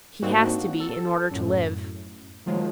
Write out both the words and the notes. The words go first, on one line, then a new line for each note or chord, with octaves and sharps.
He has to be, in order to live.
G#2 A#3 C4 D4 D#4 F#4
A4
F#2 A2
D#3 F3 F#3 G#3